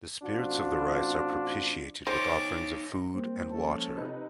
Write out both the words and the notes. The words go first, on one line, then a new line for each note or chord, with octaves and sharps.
The spirits of the rice are propitiated with offerings of food and water.
A1 C4 D4 F4 F#4
D#4 C5 C#5 D6 A6
G3 G#3 A#3 C4
F3 C#4 A4
C3 D#4 B4